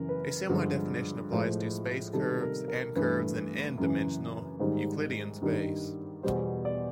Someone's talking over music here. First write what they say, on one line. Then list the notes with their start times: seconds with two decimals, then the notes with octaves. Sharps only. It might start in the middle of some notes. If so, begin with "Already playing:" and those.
A similar definition applies to space curves and curves in "n"-dimensional Euclidean space.
Already playing: F#2 C#3 E3 A#4
0.09 B4
0.49 G2 D3 F3 G#3
1.32 A2 F3 G#3
2.13 C3 D#3 G3 A4
2.41 A#4
2.68 A#4
2.96 G2 E3 A3 B4
3.78 F#2 C#3 E3
4.60 G#2 D#3 G3 C5
5.42 G2 D#3 G3
6.23 E2 B2 G3 C5
6.65 D5